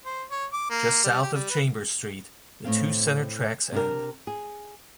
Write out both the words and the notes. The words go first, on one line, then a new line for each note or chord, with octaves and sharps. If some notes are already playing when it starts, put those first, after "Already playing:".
Just south of Chambers Street, the two center tracks end.
C5
C#5
D6
A#3
G3
G4
G3
B4
A2 C4 F5
C3 D4 A#4
G#4